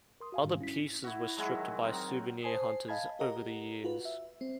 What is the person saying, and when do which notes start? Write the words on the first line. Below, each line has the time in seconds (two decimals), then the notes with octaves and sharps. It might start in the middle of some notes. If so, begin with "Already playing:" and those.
Other pieces were stripped by souvenir hunters over the years.
0.20 A#4 C6 D#6
0.32 F#4 F5 G#5
0.44 G#2 D#3 G3
0.61 C#4 E4 B6
1.04 E4 F#4
1.37 F#3 G#3 E4 F#4
1.55 D#3
1.83 F#3 C4 G#4 A#4
2.42 C5 G#5 A5 D#6 C7
2.88 D#5 F5 G#5 A5 B5 G#6
3.19 G4 A#4 D#5 F#5 A#5
3.84 F4 F#4 B4
4.05 E5
4.41 C4